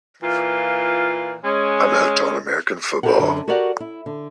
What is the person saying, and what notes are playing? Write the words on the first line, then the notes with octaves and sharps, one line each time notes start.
I'm hooked on American football.
A#2 E3 F4
G#3 C#4
F#4 G4 A4 A#4 F#5
F#2 D3
F#4 G4 A#4 C#5 D5 F#5
E4
D3